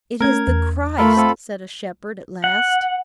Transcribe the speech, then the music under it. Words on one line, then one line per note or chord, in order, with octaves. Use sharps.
"It is the Christ!" said a shepherd, at last.
A3 C#4 A#4 G#6
E2
A3 F4 A4 A#4 B5
C4 F4 A4
F#5